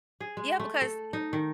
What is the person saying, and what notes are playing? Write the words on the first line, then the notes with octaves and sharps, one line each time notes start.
Yeah, because y
G#4
G#3
A3
A4
D#4
D#3